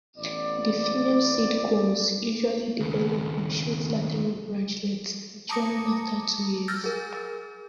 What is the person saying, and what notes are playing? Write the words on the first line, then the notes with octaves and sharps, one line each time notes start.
The female seed cones usually develop on short lateral branchlets, maturing after two years.
A1 B3 D5
D#2 C#3
A5 A#5 D6 D#6 A#6 C#7
E6 F6 G6 A6 A#6
G#4 A#4